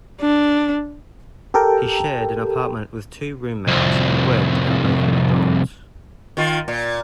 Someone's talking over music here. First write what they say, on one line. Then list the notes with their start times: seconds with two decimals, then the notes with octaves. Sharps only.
He shared an apartment with two roommates and worked at a local McDonald's.
0.21 D4
1.54 G4 A4 A#4 G5
3.68 C2 F2
6.37 D#3 F4
6.68 A#2